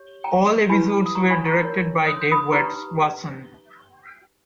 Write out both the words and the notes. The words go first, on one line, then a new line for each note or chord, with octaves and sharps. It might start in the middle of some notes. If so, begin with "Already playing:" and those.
All episodes were directed by Dave Wasson.
Already playing: G4 C#5
G5 A#5
E4 G4 B4 G#5 B5
D#6
A#5 C#6
C#6
G#5 B5
A#5 C#6
D#4 A#4 C#5
D#6
B5 D#6
D#4 G4 B4 A#5 C#6